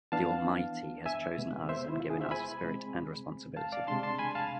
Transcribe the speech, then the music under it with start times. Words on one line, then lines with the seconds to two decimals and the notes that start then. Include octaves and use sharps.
The Almighty has chosen us and given us spirit and responsibility.
0.12 E3 B3 D4 F5 A5
1.06 E5 G#5
1.37 C3 G#3 B3
1.69 C5 E5
1.89 E4
2.00 F4
2.10 E4 G#4
2.21 C5 E5
2.31 G#5 B5
2.63 C3 G#3 C4
3.57 F5 A5
3.72 D5 F5
3.87 C3 G#3 D4 A5 C6
4.03 A5 C6
4.19 G#5 B5
4.35 F5 A5